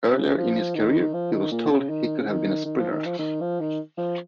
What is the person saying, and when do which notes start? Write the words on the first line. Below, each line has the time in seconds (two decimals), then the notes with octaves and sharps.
Earlier in his career he was told that he could have been a sprinter.
0.13 C#3
0.38 F3
0.75 D#3
1.14 F3
1.32 D#3
1.51 A#2
1.70 C#3
1.90 D#3
2.19 C#3
2.28 D#3
2.65 D#3
2.79 F3
2.92 D#3
3.05 F3
3.19 D#3
3.41 F3
3.60 D#3
3.98 F3